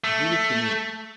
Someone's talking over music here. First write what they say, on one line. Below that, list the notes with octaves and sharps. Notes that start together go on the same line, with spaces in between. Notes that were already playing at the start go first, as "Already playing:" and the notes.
Give it to me!
A3